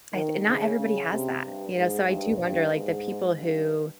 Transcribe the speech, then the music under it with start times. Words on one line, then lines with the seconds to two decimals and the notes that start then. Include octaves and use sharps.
I th not everybody has that, you know? So I do wonder, like, the people who
0.14 D#3
0.46 C#3
0.78 C#3
1.10 C3
1.43 G2
1.75 G#2
2.08 G2
2.40 G2
2.73 G#2
3.37 G2